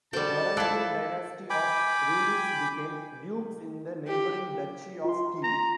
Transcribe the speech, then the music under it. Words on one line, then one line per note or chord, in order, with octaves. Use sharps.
The Varangian dynasty of Ruriks became dukes in the neighboring Duchy of Kiev.
G3 F#4 A4 C5 D5 G5 A5
E4 F4 A4 D5 F#6 G#6 B6
G5 G#5 B5 D6
G4
F4 C6
A#5